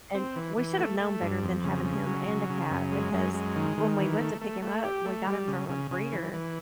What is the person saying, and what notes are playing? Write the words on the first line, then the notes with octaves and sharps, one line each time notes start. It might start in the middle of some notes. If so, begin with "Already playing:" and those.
and we should've known better than having him and a cat, because when we went to pick him up- we got him from a breeder-
C4
E3
E3
A3
A3
G2
F2
C#3
C#3
F#3
C#3
C#3
F#2
G#3
F#2
G#3
D#3
D#3
E3
A3
A3
A3
G4
A3
G3
C#3
C#3
C#3
E3
E3